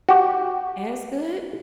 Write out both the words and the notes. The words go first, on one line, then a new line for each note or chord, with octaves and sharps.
as good,
F#4 G4